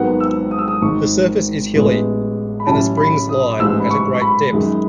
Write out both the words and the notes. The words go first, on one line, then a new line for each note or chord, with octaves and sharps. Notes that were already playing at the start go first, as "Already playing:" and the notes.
The surface is hilly, and the springs lie at a great depth.
Already playing: G#1 G#2 D#3 F#3 B3 F#5
E6
D#6
E6
D#6
G#1 G#2 D#3 C#6
A1 A2 G#3 B3
B5
A1 A2 F#3 C#4 E4 A5
B5
D#6
A1 G#2 E3 E6
B5
C#6
C#6
B5
F#2 D#3 G#3